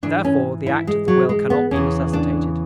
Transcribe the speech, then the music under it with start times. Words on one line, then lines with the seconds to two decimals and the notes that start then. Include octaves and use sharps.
Therefore the act of the will cannot be necessitated.
0.03 G#2 E3 D4
0.25 C#4
0.66 E4
0.87 G#3
1.08 F#3
1.29 G#3
1.50 B3
1.71 E2 C#3 E3 C#4
2.13 D4